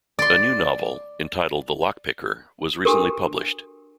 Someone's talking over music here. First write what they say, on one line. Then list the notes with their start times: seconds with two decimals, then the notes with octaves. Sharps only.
A new novel, entitled "The Lockpicker", was recently published.
0.19 D5 C6
2.85 D4 F#4 G4 A4 A#4